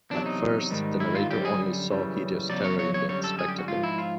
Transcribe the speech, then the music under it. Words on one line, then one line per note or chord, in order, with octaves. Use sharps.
At first the narrator only saw hideous terror in the spectacle.
E2 C3 D#3 F#3 D4
D#4
G#2 D#3 G3
E4
F4
F#2 D3 G3 G4
G#4
F#2 C#3 E3 G3
E2 C#3 F#3 D5
C#5
C#5
C#5
F#2 D3 G3 C#5
A4
G#4
G4
F#4
G#2 F3 F4
E4
F4